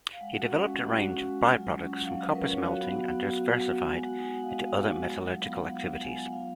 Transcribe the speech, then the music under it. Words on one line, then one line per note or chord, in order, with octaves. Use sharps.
He developed a range of by-products from copper-smelting and diversified into other metallurgical activities.
F5
G#3 F#5
F#4 F#5
C#4
G#3
G#3 F#5
F#4
C#4
G#3
F#3
F4
C#4
F#3
F#5
F#3 F5
F4 D#5
A#4
C#4 B4
F#3 C#5
F#4 F5
B3 F#5
F5
F#4
B3
F#4
B3
F#4 F#5
B3
G#3 G#5
F#4 F#5
D#4 G#5
G#3 F#5
F5
G#3 D#5
F#4 F5
D#4 F#5
G#3
F#3
F4
B3 F5
F#3 F#5
F#3 F5
F4
B3 G#5
F#3 F#5
F4 F5